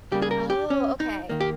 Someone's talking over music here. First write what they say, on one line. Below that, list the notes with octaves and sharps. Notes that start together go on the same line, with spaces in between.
Oh, okay.
C#3 G3 A#3 G4
G#4
A#4
G4
C#4
D#4
D#3 A#3
G4